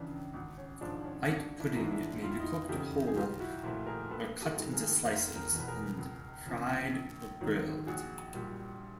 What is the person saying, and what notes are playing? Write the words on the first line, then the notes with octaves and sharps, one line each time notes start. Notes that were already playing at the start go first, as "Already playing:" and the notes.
White pudding may be cooked whole or cut into slices and fried or grilled.
Already playing: C#2 C#3 E3 D4
G#1
C#4
G#2 F3 G#3 D4
C#4
G#1 D4
D4 E4
G#2 E3 G#3
D4 E4
F1 F4
E4
D#4 F4
E2 C#3 G4 A4
G#4
B1 F4 G4
E4 F#4
A#2 F3 A3 E4 F#4
G#4 A#4
A#1 A4 B4
G4 A4
G#2 D#3 G#3
G#4 A#4
F1 A#4 C5
G#4 A#4
E2 B2
B4
G#4 A#4
C#2
C#3 F3
A#1
G#2 D#3 F#3
A#1 F#4 G#4
A#2 G3